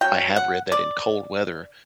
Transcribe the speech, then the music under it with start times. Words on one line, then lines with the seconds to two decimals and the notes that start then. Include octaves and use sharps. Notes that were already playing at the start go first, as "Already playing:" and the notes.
I have read that in cold weather,
0.01 F#3 C#4 G5
0.36 F#5
0.72 D5